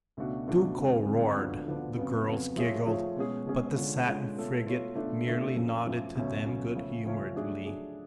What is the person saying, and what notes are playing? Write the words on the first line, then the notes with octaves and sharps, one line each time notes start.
Duco roared, the girls giggled, but the Satin Frigate merely nodded to them good-humouredly.
C#2 B2 A3 D4 F#4
C#2 B2 A3 D4 F#4
F2 D3 G#3
F2 D3 G#3
D2 D3 F3 B3 D4
D2 D3 F3 B3 D4
F2 C#3 F#3 B3
F2 C#3 F#3 B3
F3 A3 F4 G#4 C#5
F3 A3 F4 G#4 C#5
B2 G#3 C#4 G#4
B2 G#3 C#4 G#4
D3 G#3 C#4 F4
D3 G#3 C#4 F4
B2 A3 F4 A4 C#5
B2 A3 F4 A4 C#5
B2 A3 D4 F4 A4
B2 A3 D4 F4 A4
F#2 F3 A3
F#2 F3 A3
C#2 B2 F#3 A3 C#4
C#2 B2 F#3 A3 C#4
C#3 F3 A3 C#4
C#3 F3 A3 C#4
F#3 A3 D4 G#4
F#3 A3 D4 G#4